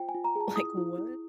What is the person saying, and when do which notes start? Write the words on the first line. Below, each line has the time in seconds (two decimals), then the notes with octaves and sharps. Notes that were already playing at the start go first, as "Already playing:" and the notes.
Like, what?
Already playing: F4 C5 G5
0.09 G#5
0.15 F4
0.24 A#5
0.36 G#4 A5
0.56 E4 D#6
0.77 E4
0.98 E4